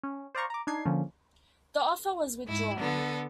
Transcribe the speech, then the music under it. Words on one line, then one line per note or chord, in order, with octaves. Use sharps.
The offer was withdrawn.
C#4
C5 D5 F5 A#5 C#6
A#5 D6
D4 D#4 G#6 C7
D3 F3 A#3 C#4
G#2 E4
D3 B3 A4